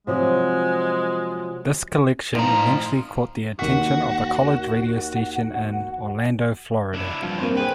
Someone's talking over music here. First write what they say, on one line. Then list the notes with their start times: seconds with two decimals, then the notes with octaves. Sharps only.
This collection eventually caught the attention of a college radio station in Orlando, Florida.
0.07 C3 F3 F#3 G#3
2.34 A2 F3 D#4 A#5
3.59 D#2 F#4 B6
6.94 D4 E4
7.22 G2 F3 F4
7.38 A#3 C4 C5
7.57 G#4 B4 C5 G5